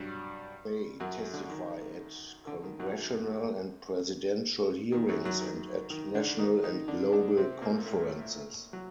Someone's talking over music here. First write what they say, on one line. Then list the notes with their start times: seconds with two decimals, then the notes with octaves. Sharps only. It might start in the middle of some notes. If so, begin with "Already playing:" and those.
They testify at Congressional and Presidential hearings and at national and global conferences.
Already playing: G2 F#3 G3
1.00 F#2 F#3
1.33 D3
1.50 D#3
2.47 D3
2.63 D#3
2.80 F#2 F#3
4.92 D#3
5.09 F#2 F#3
5.25 F#2 F#3
5.41 D#3
5.90 D#3
6.15 D3 D4
6.39 D#3 D#4
6.63 D#3 D#4
6.88 D3 D4
7.12 D3 D4
7.37 C3 C4
7.61 A#2 A#3
7.86 A2 A3
8.73 F#3